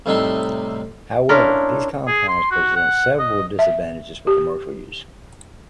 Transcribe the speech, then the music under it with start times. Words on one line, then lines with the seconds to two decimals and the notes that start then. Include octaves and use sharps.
However, these compounds present several disadvantages for commercial use.
0.06 A2 C3 G3 D#4 E5 C6
1.29 C#4 D4 E4 F4 A#4
2.07 G#4
2.28 C6
2.51 F#4
2.76 F#5
3.19 D#5
3.59 E5
4.27 G4